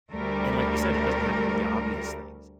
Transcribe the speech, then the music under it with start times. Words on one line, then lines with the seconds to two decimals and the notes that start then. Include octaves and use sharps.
and like you said, it doesn't have to be the obvious things,
0.12 D2 G3 A3 A#4